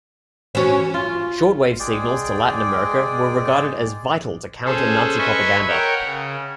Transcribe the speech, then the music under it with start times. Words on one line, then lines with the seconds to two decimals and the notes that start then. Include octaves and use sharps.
Shortwave signals to Latin America were regarded as vital to counter Nazi propaganda.
0.55 E3 C#4 F#4 C5
0.94 F4
1.80 G#3 G#4 D5 G5
4.65 C#4 G#4 A4 C5
5.18 B4 D#5 E5 G#5 C#6
5.68 A#4 C#5 F#5 G5
6.03 C#3